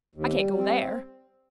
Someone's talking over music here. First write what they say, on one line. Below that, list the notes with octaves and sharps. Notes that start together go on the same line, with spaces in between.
I can't go there.
D#2
G3
C4